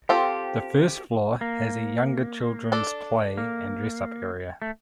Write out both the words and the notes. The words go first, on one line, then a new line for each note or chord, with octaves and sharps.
The first floor has a younger children's play and dress up area.
C4 F4 G4 A4 C5
A#3
D4 A4 D5
A#3
A3